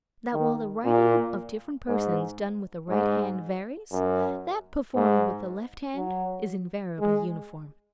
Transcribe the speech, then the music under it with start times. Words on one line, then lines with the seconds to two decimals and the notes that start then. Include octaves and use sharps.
"That while the writing of different persons done with the right hand varies, that performed with the left hand is invariably uniform."
0.33 D#3
0.85 A#2
1.88 G#2
2.90 G#2
3.92 F#2
4.95 G#2
5.96 F#3
7.00 G#3